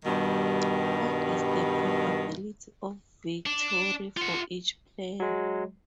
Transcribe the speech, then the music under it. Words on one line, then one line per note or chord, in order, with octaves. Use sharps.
What is the probability of victory for each player?
G2 B2 D#3 G3
D4
F4 F#5
F#3 G#3